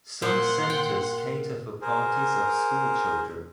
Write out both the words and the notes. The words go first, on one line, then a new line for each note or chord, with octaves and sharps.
Some centres cater for parties of school children.
A#2 C5 F#5 C6
G5
G#4 A#4 C5